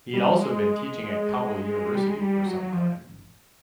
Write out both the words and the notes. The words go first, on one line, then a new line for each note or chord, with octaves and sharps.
He has also been teaching at Kabul University for some time.
G3
G#3
G#3
G3
G#3
G3
F#3
F#3
F3